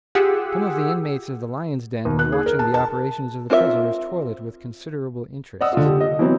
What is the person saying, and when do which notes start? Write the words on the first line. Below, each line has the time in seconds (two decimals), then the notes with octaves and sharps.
Some of the inmates of the "Lions' Den" were watching the operations of the prisoner's toilet with considerable interest.
0.15 F4 G4 G#4 F#5 E6
2.05 D#2
2.19 F#6
2.32 G#4
2.46 A#4
2.59 A5
2.74 A5
3.50 C4 F4 A#4 D5 E5
5.61 D5 D#5 F#5 D#6 E6
5.73 D3 F4
5.86 G4
6.01 D#5
6.19 E3 F#3 B3 C4